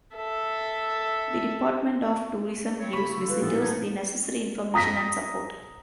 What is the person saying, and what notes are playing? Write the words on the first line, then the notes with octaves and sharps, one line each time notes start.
The Department of Tourism gives visitors the necessary information and support.
A4 E5
C4 E4 C#5
C#3 A3 B5 C#6
D3
G3 F4 B4
A#2 E3 B3 G4 A4
A2 B3 D4 D#4 G#6
A#5 D#6 A#6 B6